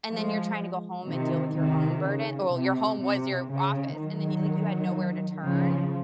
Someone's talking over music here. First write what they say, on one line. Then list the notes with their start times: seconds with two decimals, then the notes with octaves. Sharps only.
and then you're trying to go home and deal with your own burden Oh, your home was your office and then you like, you had nowhere to turn,
0.10 F3 G#3
1.07 C3 D#3
1.55 C3 D#3
2.05 C#3
2.52 C3
3.01 C3
3.50 C#3
3.98 D#3 F#3
5.44 C#3 F3